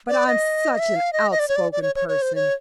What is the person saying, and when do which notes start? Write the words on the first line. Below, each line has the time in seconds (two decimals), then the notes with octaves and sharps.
But I'm such an outspoken person.
0.09 D5
0.27 D#5
0.79 E5
0.96 F5
1.13 D#5
1.31 D#5
1.39 D5
1.49 C#5
1.56 D5
1.72 D5
1.82 C#5
1.95 C#5
2.08 C#5
2.22 C5
2.35 C#5